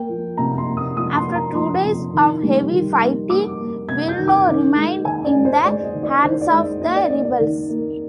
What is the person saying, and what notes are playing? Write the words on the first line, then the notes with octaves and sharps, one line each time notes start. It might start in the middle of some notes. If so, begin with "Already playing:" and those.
After two days of heavy fighting, Wilno remained in the hands of the rebels.
Already playing: A#3 G5
F3
C3 A#5
C6
A#3
D#6
F3 D#6
C6
A#3
A#5
F3 C6
C3
D#3
G3
D#3
A#3
A#3 D6
A#3
C3 G#6
G6
D#3
D6
D#3
G#3
D#3 G#5
D5
G#3
C5
G#3 D5
D#5
D#3
D5
D#3 C5
D5
G#3
D#5
A#3 D#5
D5
A#3 D5
D5
D#3
A#3